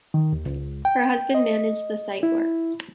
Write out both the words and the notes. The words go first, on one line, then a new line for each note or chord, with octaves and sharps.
Her husband managed the site works.
D#3
D#2
C#2
G5
D#5
E4